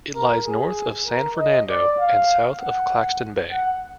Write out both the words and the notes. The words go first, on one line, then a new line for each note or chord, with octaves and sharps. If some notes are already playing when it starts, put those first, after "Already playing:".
It lies north of San Fernando and south of Claxton Bay.
A#4
G#4
A#4
D#5
D5
F5
F#5
F#5